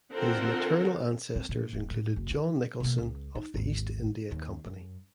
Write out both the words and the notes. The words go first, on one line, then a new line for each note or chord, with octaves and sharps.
His maternal ancestors included John Nicholson of the East India Company.
D3 C4 F4 A4 A#4 F#5
C4
A#2
D#1
A2
F#1
D#3
B2 A#3
C#2
D#4
G#1 D#2
D#2
F#2